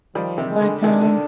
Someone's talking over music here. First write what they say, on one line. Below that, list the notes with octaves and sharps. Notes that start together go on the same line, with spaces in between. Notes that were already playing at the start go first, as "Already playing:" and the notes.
but, um,
D#3 F3 G3
C3 D#3
G#3
D3
C3 D#3 D4
D3